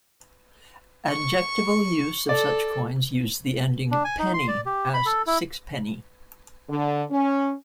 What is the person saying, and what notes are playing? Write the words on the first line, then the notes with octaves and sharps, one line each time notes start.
Adjectival use of such coins used the ending -penny, as "sixpenny".
C#6
A4 D5
D4
G#5
D#4
C6
D5
G4
B5
A4
E4
D3
C#4